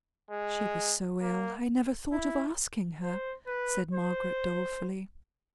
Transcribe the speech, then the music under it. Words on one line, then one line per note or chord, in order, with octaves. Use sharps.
'She was so ill I never thought of asking her,' said Margaret, dolefully.
G#3
A#3
E4
C5
B4
C5